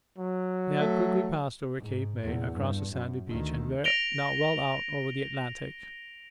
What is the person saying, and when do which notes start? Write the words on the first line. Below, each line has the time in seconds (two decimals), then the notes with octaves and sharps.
They had quickly passed over Cape May, across the sandy beach, and were now well out over the Atlantic.
0.18 F#3
0.80 A3
1.78 G#2
2.23 E2 A#2
2.53 G2
2.92 F#2
3.27 D2 D#3
3.84 A#6 D7 F7 G7